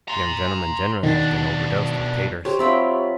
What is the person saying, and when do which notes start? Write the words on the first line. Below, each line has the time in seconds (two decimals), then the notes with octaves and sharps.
'Young gentlemen generally has been overdosed with taters.'
0.08 A#5 C6
1.03 B2 D#3 D4
2.45 G4 C5 C#5
2.59 F#3 C4 F4 E5 G5 B5